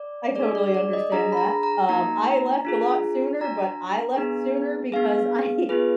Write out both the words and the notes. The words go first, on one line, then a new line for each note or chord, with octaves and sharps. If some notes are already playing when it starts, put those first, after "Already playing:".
I totally understand that. Um, I left a lot sooner, but I left sooner because I
Already playing: D5
D4 G#4 D5
D5
D5
D#5
D4 G#4 A#5
B5
A#5
A#5
A#3 D#4 F#4 A#5
D4 F4 G#4
D4 F#4 A#5
B3 D4 G#4
B3 D4 G#4 F5
B3 F4 G#4 B4